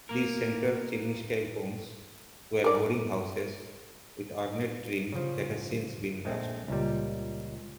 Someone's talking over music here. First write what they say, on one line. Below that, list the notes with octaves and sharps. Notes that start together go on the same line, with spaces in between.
These central-chimney-style homes were boarding houses with ornate trim that has since been lost.
A#3 A#4
A#4 D5
C#3 F3
A#1 G#3 A3 C4
C#2 A#2 G3